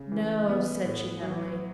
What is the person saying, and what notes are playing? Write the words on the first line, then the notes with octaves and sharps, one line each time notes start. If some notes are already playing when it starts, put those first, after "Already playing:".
'No!' said she, heavily.
Already playing: C#3
E3
B3
A2
F#3